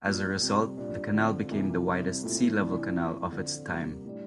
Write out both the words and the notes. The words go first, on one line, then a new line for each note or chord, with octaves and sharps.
As a result, the canal became the widest sea level canal of its time.
A#2 F3 A#3 D4
C3 G3 C4
A#2 G3 D4
D3 F3 C4
C3 E3 A#3 E4
C3 G3 C4 E4
A#2 A3 C4 E4
C3 E3 A3 D4
F3 C4 E4
D3 F3 C4
C3 G3 A#3
A2 G3 D4